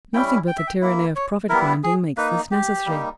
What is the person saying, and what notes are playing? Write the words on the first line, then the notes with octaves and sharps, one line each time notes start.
Nothing but the tyranny of profit-grinding makes this necessary.
G3 C#4 E4 G5
G5
E5
G5
A#3 E4
C#5
G3 B3 E4 A#4
G#4
A#3 D#4 B4
G4
G3 A#3 D#4